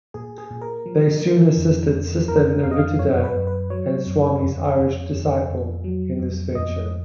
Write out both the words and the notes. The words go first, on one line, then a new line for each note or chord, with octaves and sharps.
They soon assisted Sister Nivedita, the Swami's Irish disciple, in this venture.
A#2 G#4
G#4
A#2
A#4
F3
F3
F2
F2
F2 A#4
F2 F5
D#5
F5
F#2 C#5
B4
F#2
B4
F#3 C#5
F#2
F2
F2
F2
F2
F#3
F2
F2 D#5